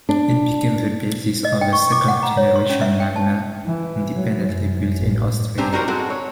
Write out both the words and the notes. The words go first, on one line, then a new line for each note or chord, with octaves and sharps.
It became the basis of the second generation Magna independently built in Australia.
D4
D#5
G5
C#6
D6
F#5
A#5
C#5
C6
C#4
E5
G5
A5
E3
F#3
F#2
A1
C4 D4 G4 C5 G#5 A#5
G3 D#4 F#4 A#4 C5
G#3 C4 F#4 A4
C#5